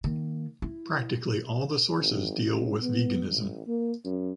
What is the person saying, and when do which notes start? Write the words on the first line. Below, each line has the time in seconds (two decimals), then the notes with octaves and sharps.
Practically all the sources deal with veganism.
0.04 D#3 A#3
0.62 E4
1.96 G#1
2.46 C#2
2.81 B3
3.29 A1
3.67 A#3
4.05 F#2